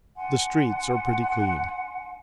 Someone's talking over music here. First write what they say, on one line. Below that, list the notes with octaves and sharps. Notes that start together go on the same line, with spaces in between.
The streets are pretty clean.'
D4 F#5 G#5 C6